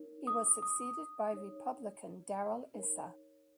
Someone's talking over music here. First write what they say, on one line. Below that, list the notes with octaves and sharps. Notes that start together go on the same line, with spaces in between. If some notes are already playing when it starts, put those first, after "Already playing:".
He was succeeded by Republican Darrell Issa.
Already playing: D#4 A#4 C#5
D#6
D#6
D#4 C#5
D#4 A#4 C#5